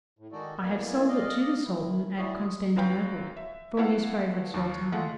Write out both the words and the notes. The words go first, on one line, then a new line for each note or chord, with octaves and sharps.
"I have sold it to the Sultan at Constantinople, for his favorite Sultana."
A2
D#3 G#3 D#4 F#4 A4 D5
A2 A#3 B3 D5 G#5
D5 D#5 F5
D#3 E4
E4 F#4 G#4 C#5 D5
F#2 F#3 B4 F5 G5 C#6
E5
A3 B3 E4 A4 F5 F#5
D#2 F3
G#3 A3 F4 F#5